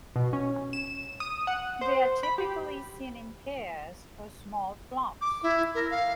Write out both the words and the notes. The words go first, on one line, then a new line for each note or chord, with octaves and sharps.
They are typically seen in pairs or small flocks.
B2
C#4
E7
D#6
F#5
C5
B5
G4
D6
E4
A#4
F5